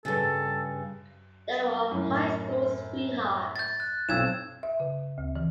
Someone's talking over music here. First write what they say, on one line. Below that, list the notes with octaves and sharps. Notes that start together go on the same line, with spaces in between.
They were high school sweethearts.
G2 C#3 A4
F#2 A2
G6 A6
F#6
B1 C4 E6 G#6 E7
E5
C#3
D2
E3